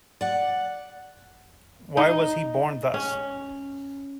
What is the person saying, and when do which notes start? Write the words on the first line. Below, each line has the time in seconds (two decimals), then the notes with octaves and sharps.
Why was he born thus?
0.21 D5 F#5
1.97 D#4
2.94 C#4